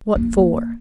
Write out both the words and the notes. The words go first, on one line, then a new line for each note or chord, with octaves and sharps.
What for?
A#3